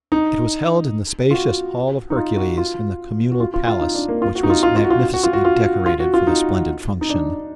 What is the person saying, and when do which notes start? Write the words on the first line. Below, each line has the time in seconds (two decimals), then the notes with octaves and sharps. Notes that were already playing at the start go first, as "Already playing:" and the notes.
It was held in the spacious Hall of Hercules in the Communal Palace, which was magnificently decorated for the splendid function.
0.12 D#4
1.31 F4
1.34 F#4
2.10 D#4
2.16 F4
2.37 F#4
2.58 F4
3.32 F#4
3.40 F4
3.54 F4
3.67 F4
3.81 D#4
3.95 D4
4.08 A#3
4.22 F4
4.35 F#4
4.43 D#4
4.50 F4
4.63 F4
4.76 F4
4.84 F#4
4.90 F4
5.14 F#4
5.23 F4
5.33 F#4
5.45 F4
5.86 F4
6.00 F#4
6.14 F4
6.27 D#4
7.01 D#4
7.09 D4